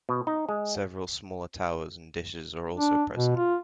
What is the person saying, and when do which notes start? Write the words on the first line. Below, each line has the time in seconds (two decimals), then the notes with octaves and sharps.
Several smaller towers and dishes are also present.
0.09 B2
0.27 D#4
0.49 G#3
2.77 D4
3.15 B2
3.37 F4